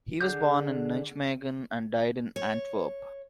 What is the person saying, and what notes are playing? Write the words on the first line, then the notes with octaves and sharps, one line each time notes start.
He was born in Nijmegen and died in Antwerp.
D3 G#4 F#5 D6 G6
C#5